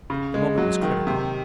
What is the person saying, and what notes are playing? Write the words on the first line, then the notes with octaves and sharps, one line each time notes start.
The moment was critical.
C#3
G#3
F#3
D#3
C3